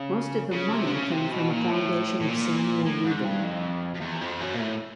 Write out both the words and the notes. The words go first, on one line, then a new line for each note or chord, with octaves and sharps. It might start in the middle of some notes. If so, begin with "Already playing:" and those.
Most of the money came from a foundation of Samuel Rubin.
Already playing: C#3
C#3
C3
D3
C#3
C3
B2
A#2
A2
A2
A#2
A2
G#2
G2
F2
F2
E2
F2
F#2
A#2
A2